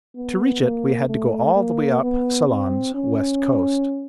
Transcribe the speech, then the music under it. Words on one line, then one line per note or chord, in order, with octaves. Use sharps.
To reach it we had to go all the way up Ceylon's west coast.
B3
A#3
A3
A#3
B3
C4
C#4